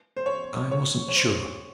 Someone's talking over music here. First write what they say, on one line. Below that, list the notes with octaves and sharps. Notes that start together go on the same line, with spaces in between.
I wasn't sure.
C5
C#5
C#5
C#5
C5